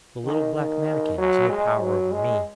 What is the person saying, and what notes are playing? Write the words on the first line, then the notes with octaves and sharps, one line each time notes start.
The little black Mannikin has no power over me.'
D#3
D#3
F#3
G#3
F#3
G#3